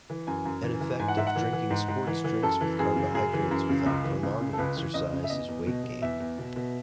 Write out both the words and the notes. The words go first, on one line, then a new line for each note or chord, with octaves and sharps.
An effect of drinking sports drinks with carbohydrates without prolonged exercise is weight gain.
E3
F#2 G#5
F#2
E3
E3
G#2 G#5
F#5
G#2 E5
F#5
E3
E3
G#2
G#2
E3
E3
F#2 A4
E3
F#2 G#4
C#3
F#2 G#4
E3
F#2
C#3
C#2
E3
C#2
C#3
A4
C#2 B4
E3
C#2 D#5
C#3
E5
E2 D#5
E2
B2
B2
E2 E5
E2
B2
B2